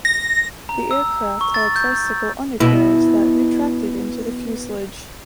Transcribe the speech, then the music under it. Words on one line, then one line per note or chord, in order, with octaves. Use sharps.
The aircraft had a tricycle undercarriage that retracted into the fuselage.
A#6
A#5
E6
C#6
A6
G6
B2 E4